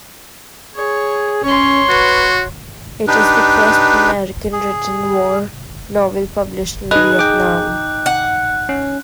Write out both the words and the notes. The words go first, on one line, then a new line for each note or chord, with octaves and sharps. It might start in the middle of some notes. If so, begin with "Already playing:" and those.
It is the first American-written war novel published in Vietnam.
G#4 C#5
C#4 C#5 C6
F#4 B4
D4 D#4 G4 B4
G#4
D#4 G#4 B4 D#5 F#6
G5 D6
F#5
C#4